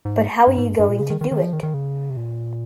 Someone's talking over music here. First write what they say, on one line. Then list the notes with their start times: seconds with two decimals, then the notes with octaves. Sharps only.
But how are you going to do it.
0.05 G#2
0.47 G2
0.58 G#2
0.68 G2
0.79 G2
0.89 A#2
1.00 C#3
1.10 D#3
1.21 D#3
1.32 D#3
1.42 F3
1.53 D#3
1.63 D#3
1.74 C#3
2.10 C3
2.17 A#2